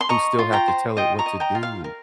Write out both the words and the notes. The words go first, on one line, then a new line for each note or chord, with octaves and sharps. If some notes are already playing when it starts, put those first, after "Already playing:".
who still have to tell it what to do.
C6
D#5 A#5 C#6
F4
G5 A#5
C5
F4 D#5 G5
A#5 C#6
D#5
G5 A#5
F4
F5
A#4